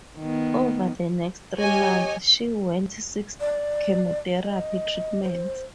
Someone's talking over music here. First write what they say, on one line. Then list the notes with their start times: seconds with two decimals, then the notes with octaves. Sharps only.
Over the next three months she went six chemotherapy treatments.
0.19 D#3 B3
1.57 G4 C#5 D#5 G#5
3.41 D5
4.42 D#5
5.23 C5